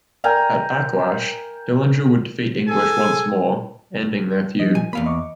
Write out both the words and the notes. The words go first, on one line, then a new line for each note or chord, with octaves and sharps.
At Backlash, Dillinger would defeat English once more, ending their feud.
A#4 G5 G#5 A#5
G#4 A4 G#5
F3 D#5
G#5
E2 A#3 F5 B5
D#5 C#6 D6